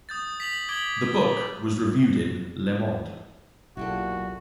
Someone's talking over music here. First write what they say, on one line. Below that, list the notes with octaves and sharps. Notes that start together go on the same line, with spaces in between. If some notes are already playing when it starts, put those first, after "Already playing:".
The book was reviewed in "Le Monde".
D#6 G6 A6
B6 F7 F#7
D6 G#6 D7 F#7 G7
B1 A#2 E4 F#4 G4 A4